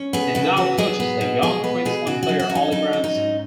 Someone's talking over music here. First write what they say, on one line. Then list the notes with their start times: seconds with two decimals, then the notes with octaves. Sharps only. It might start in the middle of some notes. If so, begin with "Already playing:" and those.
He now coaches the young Queensland player Oliver Anderson.
Already playing: C#4
0.13 B3 G#4
0.35 C#3 F#4
0.57 B3 F#4
0.78 F#3 G#4
1.00 B3
1.21 B2
1.42 G#3 G#4
1.64 B3 B4
1.85 B2 G#4
2.07 C#3 F#4
2.23 F#4
2.29 F#3
2.39 F#4
2.50 C#4
2.55 D#4
2.71 F#3 D#4
2.93 C#4
3.04 D#4
3.15 G#2